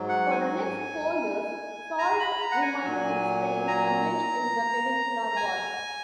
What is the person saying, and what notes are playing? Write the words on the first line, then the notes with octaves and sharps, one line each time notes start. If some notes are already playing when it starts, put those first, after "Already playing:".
For the next four years Soult remained in Spain engaged in the Peninsular War.
Already playing: G#2 F#3
F#5
G#5
A#5
B5
A#5
F#5
G#5
A#2 F#3
A#5
G#5